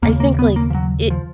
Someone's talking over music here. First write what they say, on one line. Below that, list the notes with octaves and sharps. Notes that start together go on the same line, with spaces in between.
I think, like, i
D#2 C#3 A#3
A#3
B3
A#3
F3
F#3
F3